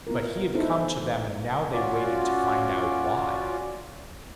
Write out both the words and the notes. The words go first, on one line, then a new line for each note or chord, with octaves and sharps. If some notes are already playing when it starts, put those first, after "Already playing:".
But he had come to them and now they waited to find out why.
B3 E4 F4 A#4
B3 D#4 E4 A4 C5
C#4 F4 F#4 D5